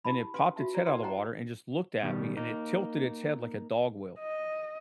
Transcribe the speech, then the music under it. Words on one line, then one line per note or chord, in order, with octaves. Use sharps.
and it popped its head out of the water and just looked at me, and it tilted its head like a dog will
E4 G4 A5 B5
C#4 B4 F5 C6
F4 F#4 E5 A5
G4 C#5 D5 A#5
E4 B4 D5 F#5 C6
C5 D#5 F#5 G5 A5 A#5
B2 D#3 G3
A#3 D#4
D#5